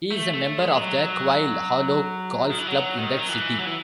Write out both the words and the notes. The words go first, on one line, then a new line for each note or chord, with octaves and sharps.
He is a member of the Quail Hollow Golf Club in that city.
A3
A3
G#3
F#3
D#3
E3
F#3
D#3
F#3
E3
F#3
E3